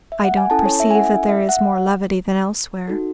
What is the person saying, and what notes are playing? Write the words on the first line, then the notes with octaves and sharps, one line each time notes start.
I don't perceive that there is more levity than elsewhere.
E5
F#5
G#5
C#4 E4 A4 A5
C#5
E5
G#5
F#5
E5
E5
F#5
D#4 F#4 A4